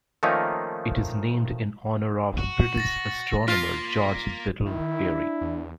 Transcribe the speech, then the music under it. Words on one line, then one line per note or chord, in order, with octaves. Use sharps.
It is named in honour of British astronomer George Biddell Airy.
D#3 F3 A3 A#3 C#4 D#4
F#4
A6 A#6
A#3 F4 B6
D#3 E4
D4
E2